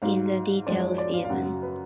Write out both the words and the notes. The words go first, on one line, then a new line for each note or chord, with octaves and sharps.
In the details even.
G#2 F#3 F5
F#2 F3 G#3 D5
C#5
D5
F5
F5
F#2 C#3 F#3 F#5
B4